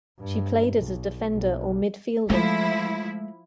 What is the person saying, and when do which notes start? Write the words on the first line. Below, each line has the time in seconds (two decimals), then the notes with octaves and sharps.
She played as a defender or midfielder.
0.19 G2
0.76 B1
1.33 B1
2.30 F3 G#3 A3 E4